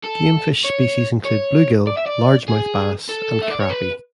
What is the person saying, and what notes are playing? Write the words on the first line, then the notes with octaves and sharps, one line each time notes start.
Game fish species include bluegill, largemouth bass, and crappie.
A4
C#5
C#5
D5
E5
D5
G#4
A4
E5
D5
C#5
B4